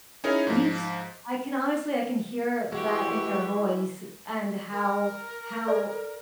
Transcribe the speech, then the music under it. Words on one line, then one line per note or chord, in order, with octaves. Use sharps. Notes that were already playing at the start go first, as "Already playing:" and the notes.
You s I can honestly I can hear that in your voice and how how
C#4 D#4 E4 G#4 A#4 C#5
G#2 F3
E3 G#3 F#4 G4 C#6
A#4
A4 D5